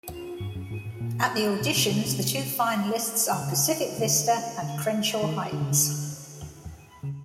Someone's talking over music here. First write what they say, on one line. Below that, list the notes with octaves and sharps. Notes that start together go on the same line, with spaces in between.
At the auditions, the two finalists are Pacific Vista and Crenshaw Heights.
G2
F#2
G#2
A2
A#2
B2
C3
C#3
C3
D3
C#3
C#3
D3
D3
D#3
D3
C#3
D3
C#3